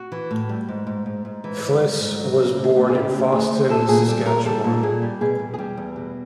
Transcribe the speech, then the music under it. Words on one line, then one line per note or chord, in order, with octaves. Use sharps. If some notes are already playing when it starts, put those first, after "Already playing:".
Flis was born in Fosston, Saskatchewan.
Already playing: F#4
E3
A2
G3
G#2
G#2
G#2
G#2
E3
G#2
G3
G#2
F#3
C#3
D2
D2
G#4
C#3 G4
D2
D2 G#4
D2
A#2 A4
A#2 G#4
G3 A4
A#2 A#4
G3 A4
A#2
A#2 G#4
G3
B2 G#4
E2
G#4
G3 G4
E2
B2